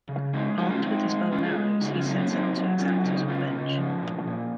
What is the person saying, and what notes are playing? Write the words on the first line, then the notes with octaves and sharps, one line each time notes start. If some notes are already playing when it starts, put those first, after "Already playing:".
Armed with his bow and arrows, he sets out to exact his revenge.
C#3
G#3 C4 D#4
G#3 D#4 F#4
C#4 F4
G#3 C4 D#4
G#3
G#3 C#4 F4
F4 G#4
G#3
C#3 D#4 F#4
C#4 F4
F#3 C4 D#4
A#3 C#4
F#3 C4 D#4
F#3
F#3 C#4 F4
C#3 C4 D#4
C#3 C#4 F4
C#3
F3
A#2
A#2